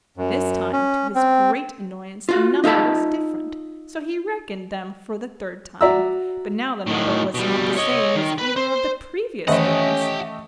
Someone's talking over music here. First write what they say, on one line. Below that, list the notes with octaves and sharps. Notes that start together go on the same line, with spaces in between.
This time, to his great annoyance, the number was different; so he reckoned them for the third time, but now the number was not the same as either of the previous ones!
F#2
C#4
C4
F4 F#4
D#4 F4 A4 A5 B5
F#4 D5 E5 A#5 E6
A2 D#3
B2 G3
C#5 D#5
D#3
B4 B5
C5
D#3 E3 A3 C#4 G4 D#5 F#5